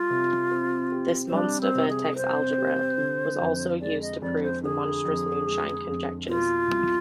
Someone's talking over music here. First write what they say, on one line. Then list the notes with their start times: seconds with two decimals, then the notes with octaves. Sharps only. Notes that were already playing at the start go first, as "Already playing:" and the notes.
This monster vertex algebra was also used to prove the monstrous moonshine conjectures.
Already playing: G3 F4
0.10 C3
0.51 C4
0.92 G4
1.27 C4
1.33 G3 D4
1.61 C4
1.75 C3
1.89 G#4
2.16 C4 C5
2.58 G4
2.98 D3
3.40 F2
3.81 G#3 D5
4.01 D#5
4.22 F2 D5
4.43 C5
4.63 D3 G#4
5.05 F2
5.46 G#3
5.87 F2
6.28 B2 F4
6.69 C2